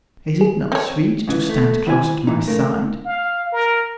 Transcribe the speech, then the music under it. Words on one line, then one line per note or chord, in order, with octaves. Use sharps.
Is it not sweet to stand close at my side?
G#4
C4 C#5
G#2 C#3 E3
A3
D#3 E4 C5 F5 G#5
E3 D#4
C#3 A3 A#4
F5
A#4